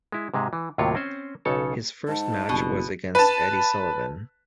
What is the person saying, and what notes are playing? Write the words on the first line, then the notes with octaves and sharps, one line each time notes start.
His first match was against Eddie Sullivan.
G#3 E4
G#2 C3 G#3
E3
D#2 A2 C3 F#3 F4 C#5
C4 C#4 C5
B1 C#3 A4 C#5 A5
G#2 A5
F#1 G2 B2
B4 A5